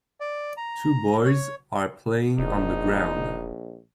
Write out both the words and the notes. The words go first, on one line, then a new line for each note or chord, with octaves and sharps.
Two boys are playing on the ground.
D5
A#5
C#5
E1 A#1 D#4